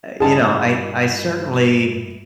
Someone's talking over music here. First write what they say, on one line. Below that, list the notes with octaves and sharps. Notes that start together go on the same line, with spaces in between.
you know, I I certainly
G2 E4 G#4 D#5 A5